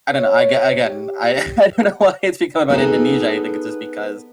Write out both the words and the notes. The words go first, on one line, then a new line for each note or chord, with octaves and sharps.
I don't know. Ag again, I I don't know why it's become about Indonesia. I think it's just because
C#5
G4
B3 D#4 G#4 A4